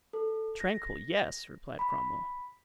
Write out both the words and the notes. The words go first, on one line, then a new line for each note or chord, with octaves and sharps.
"Tranquil, yes," replied Cromwell.
A4
A#6
B5